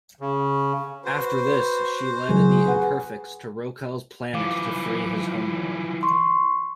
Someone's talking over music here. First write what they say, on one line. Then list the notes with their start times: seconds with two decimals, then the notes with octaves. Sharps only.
After this she led the Imperfects to Roekel's Planet to free his homeworld.
0.20 C#3
1.05 F#4 B4 C5
2.29 F#1 G#4
2.66 B4 F#5
4.34 E3 F3 F5 D6
6.03 C6 C#6